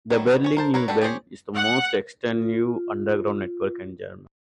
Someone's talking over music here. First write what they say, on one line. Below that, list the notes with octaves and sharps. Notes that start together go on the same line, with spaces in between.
The Berlin U-Bahn is the most extensive underground network in Germany.
D#3 F#3 G3 E4
C#4 C#5
A#4 C5 A5
A#3 E4 A#4 B4 C#5
D4 F#4 G4 A4 B4
G4 G#4 C5 C#5
F#5
F4
F4